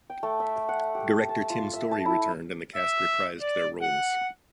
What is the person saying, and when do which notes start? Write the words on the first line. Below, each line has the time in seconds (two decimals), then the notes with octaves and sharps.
Director Tim Story returned, and the cast reprised their roles.
0.10 G5
0.23 A3
0.40 E5
0.69 F#5
0.95 G4
1.29 A5
1.50 F4
1.73 E5
1.91 A5
2.06 E4
2.76 E5
3.41 D5
3.82 F#5